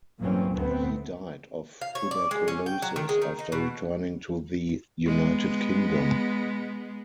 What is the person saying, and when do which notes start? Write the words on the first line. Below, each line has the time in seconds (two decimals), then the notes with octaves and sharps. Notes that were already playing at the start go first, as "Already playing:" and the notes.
He died of tuberculosis after returning to the United Kingdom.
0.19 G2 E3 F#3 A#3 C4 C#4
0.54 D2 A2 A3 B3 C4
1.81 F5
1.95 C#5
2.11 D5
2.31 G#3
2.48 C#4
2.66 G5
2.82 F#3
2.96 D#3
3.09 G#3
3.22 D#3
3.39 D#4
3.52 B2
5.05 G#3 B3